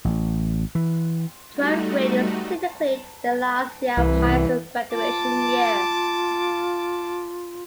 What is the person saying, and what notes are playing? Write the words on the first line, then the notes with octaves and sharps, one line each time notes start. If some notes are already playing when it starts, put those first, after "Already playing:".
Twelfth grade is typically the last year of high school; graduation year.
A1
E3
G3 A3 D#4 F#4
C2 E3
F4 A5 D6